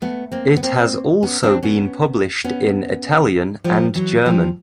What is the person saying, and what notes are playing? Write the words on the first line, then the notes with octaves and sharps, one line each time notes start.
It has also been published in Italian and German.
A3 B3
A#3 C4
B3
A#3 C4
B3 C#4
C4 D4
B3 C#4
B3 C#4
F3 G3
E3 F#3
F3 G3